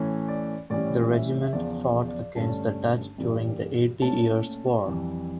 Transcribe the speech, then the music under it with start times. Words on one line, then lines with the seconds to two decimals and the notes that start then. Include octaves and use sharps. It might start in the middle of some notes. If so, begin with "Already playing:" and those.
The regiment fought against the Dutch during the Eighty Years' War.
Already playing: A2 E3 A3 C#4
0.28 D5
0.70 A2 E3 G3 C#4 D5
1.11 E5
1.42 E5
1.53 E2 C#3 F3 D5
2.08 D5
2.36 G2 D3 A3 C#4 A5
3.18 G2 E3 G3 A#3
4.02 A#2 A3 C#4 A5
4.85 F2 E3 G3